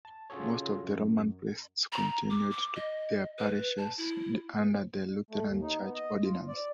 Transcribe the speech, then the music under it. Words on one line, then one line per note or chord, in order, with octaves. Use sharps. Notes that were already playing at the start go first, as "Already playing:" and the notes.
Most of the Roman priests continued in their parishes under the Lutheran church ordinance.
A5
C#3 F4 F#4 G#4 A4 C#5
F#2
A#5
D6
D6
D#5
B4
A5
E4
A3
D#2
D#4
B3
D#5
F4
D5